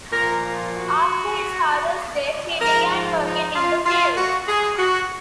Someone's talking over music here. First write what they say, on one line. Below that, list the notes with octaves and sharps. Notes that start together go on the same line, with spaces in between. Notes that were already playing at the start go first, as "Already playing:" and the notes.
After his father's death he began working in the fields.
A#2 F3 A#4
F4
F#4
G#2 F3 A#4
F4
D#4
F4
F4
F#4
G#4
F#4